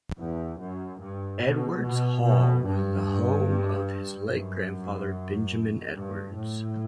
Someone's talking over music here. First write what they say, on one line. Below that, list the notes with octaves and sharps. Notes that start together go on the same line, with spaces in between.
"Edwards Hall" was the home of his late grandfather, Benjamin Edwards.
E2
F#2
G2
B2
B2
B2
G2
F#2
G2
A2